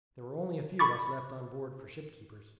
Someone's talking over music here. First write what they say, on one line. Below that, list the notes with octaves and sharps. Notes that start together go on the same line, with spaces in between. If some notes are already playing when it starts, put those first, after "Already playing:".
There were only a few of us left on board for ship-keepers.
B5 C#6 D6 A6